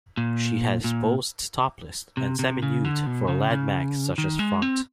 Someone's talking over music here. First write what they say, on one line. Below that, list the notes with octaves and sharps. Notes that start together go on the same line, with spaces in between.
She has posed topless and semi-nude for lad mags such as "Front".
A#2
A#2
C3
C3
C#3
D3
B2
C#3
C#3
D#3
G#3
C4